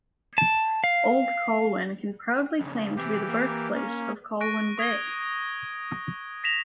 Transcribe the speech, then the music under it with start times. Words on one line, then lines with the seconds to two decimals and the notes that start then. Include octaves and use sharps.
Old Colwyn can proudly claim to be the birthplace of Colwyn Bay.
0.38 A5
0.84 F5
2.61 F2 C#3
2.97 C3 E3 G4
3.29 A#3
3.74 C#4
4.40 C#6 F#6 A#6 D7
4.78 C#6 D#6 G#6 A#6 G7
6.44 A#6 B6 E7 F7